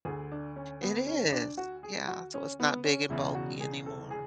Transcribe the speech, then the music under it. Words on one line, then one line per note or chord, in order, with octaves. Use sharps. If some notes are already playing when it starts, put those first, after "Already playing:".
It is. Yeah so, it's not big and bulky anymore.
D2 D3 G#4
D4
C#4
B3
C#4
D4
F#4
G#4
F#4
C#4
B3
C#4
E1 E2 C#3 E4
F#4
G#4
A4
G#4